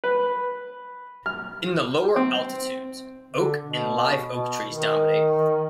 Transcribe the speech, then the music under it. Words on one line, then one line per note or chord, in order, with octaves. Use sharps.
In the lower altitudes, oak and live oak trees dominate.
B4
F6
C4
D3
B2
B2
D#3